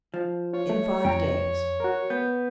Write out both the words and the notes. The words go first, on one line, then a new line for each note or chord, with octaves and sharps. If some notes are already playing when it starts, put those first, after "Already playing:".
"In five days."
F3
F4 C#5
A3
F2 G5 A#5
F#4 A#4
B3 G6